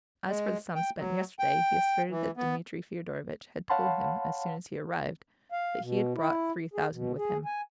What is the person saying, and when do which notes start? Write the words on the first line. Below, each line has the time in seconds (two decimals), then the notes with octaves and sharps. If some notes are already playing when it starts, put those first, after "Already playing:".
As for the sum spent yesterday he asserted that Dmitri Fyodorovitch had told him, as soon as he arrived, that he had brought three thousand with him.
0.29 G#3
0.75 G5
0.98 F#3
1.39 G5
2.10 E3
2.37 B3
3.70 C#5 F5 F#5 A5 B5 C6
5.52 F5
5.80 B2
6.14 E4
6.74 G#4
6.91 B2
7.18 G#4
7.46 G#5